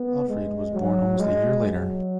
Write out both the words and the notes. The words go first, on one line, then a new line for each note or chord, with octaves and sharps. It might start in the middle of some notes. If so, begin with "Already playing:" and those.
Alfried was born almost a year later.
Already playing: B3
G#3
F#3
G#3
F#3